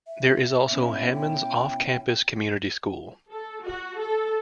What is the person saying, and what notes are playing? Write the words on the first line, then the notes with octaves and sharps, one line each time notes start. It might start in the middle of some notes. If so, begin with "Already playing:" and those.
There is also Hammons off-campus community school.
E5
B2 C#4 E4
G5
A4
F#4
A4